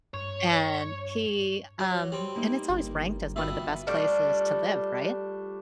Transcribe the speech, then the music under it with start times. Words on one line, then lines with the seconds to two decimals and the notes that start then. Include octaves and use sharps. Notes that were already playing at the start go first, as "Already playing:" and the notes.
and he, um and it's always ranked as one of the best places to live, right?
0.14 G2 C#5
1.80 F#3
2.12 G3 C4
2.36 A#3 D#4 E5
2.69 G1
3.36 B2 G3 F4 A4 B4 E5
3.87 F3 G3 A3 D4